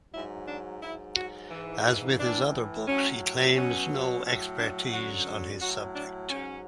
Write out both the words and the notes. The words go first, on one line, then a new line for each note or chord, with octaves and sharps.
As with his other books he claims no expertise in his subject.
G#2 F#3 E4
D4
G#2 F#3 E4
F#4
G#2 E3
A2 E3 D4
A2 F#3 C#4
B2 F#3 C#4
A2 F#3
D4
F#2 D3 F#3 F#4
A2 F#3 F#4
D4
G#2 F#3 C#4